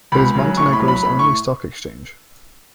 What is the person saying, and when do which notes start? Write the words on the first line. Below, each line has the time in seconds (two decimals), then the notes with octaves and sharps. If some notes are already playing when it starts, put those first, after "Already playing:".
It is Montenegro's only stock exchange.
0.12 C#2 B5
0.35 C#3 F#3
0.57 A2 C#6
0.73 B5
0.80 F#3
0.88 B5
1.03 A2 B5
1.19 C#6